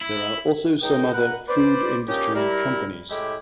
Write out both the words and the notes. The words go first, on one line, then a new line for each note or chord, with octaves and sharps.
There are also some other food industry companies.
E4
C#2 D#4 G5
A#4 B4 F#5
B4 C5 D5
A#2 C#4 D#4 G4
G3 E4 A#4
A2 G#3 E4 G4